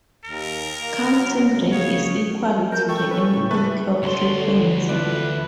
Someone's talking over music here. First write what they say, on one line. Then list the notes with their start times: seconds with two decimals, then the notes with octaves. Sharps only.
Counting rate is equal to the input clock frequency.
0.24 D#2 A#4
0.79 A#3
1.18 F#3
1.72 C#3 C#5
2.72 A#4 G6
2.89 A4 G5 C#6
3.11 C#4 B4
3.35 A2 C#3
3.51 G3 B4 E5 A5
4.03 D2 D4 F#4 A4 C#5 C6
4.89 E3 E4 F4 A4 B4 D5